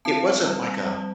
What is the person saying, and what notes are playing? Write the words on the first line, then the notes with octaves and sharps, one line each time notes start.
It wasn't like a
C4 A5
G3
G3